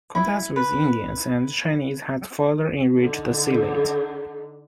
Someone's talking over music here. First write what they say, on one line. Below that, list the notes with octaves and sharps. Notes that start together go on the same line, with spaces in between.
Contacts with Indians and Chinese has further enriched silat.
E4
B4
D3 D#4